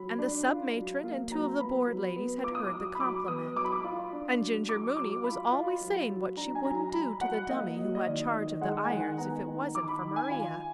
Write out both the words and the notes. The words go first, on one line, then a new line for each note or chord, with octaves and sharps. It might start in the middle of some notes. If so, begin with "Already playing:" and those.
And the sub-matron and two of the Board ladies had heard the compliment. And Ginger Mooney was always saying what she wouldn't do to the dummy who had charge of the irons if it wasn't for Maria.
Already playing: F#3 B5
D4
F4
F#3
A#3
F#3 A#5
B3 B5
F#3
B3
F4 D6
D#6
F#3 D6
B5
F#3 D6
B3 D#6
F#3 D6
B5
D6
F4
D4
F#3
F#3 D6
F#3 D6
F4 B5
F4
F#3
F#3
D4 A#5
G#5
F#3 A#5
A#5
F#3 B5
F#3 F#5
A#3 D#5
F#3
D#5
D#3 D5
D#3 D#5
D#5
G#3 F#5
G#5
D#3 F#5
B3 A#5
D#3
D#3 D6
B5
D#3
G#5
F4